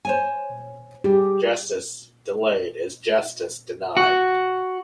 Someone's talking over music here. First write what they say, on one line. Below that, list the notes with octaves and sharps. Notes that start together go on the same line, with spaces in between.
Justice delayed is justice denied.
C5 C#5 G#5
G3 G4 G#4
F#4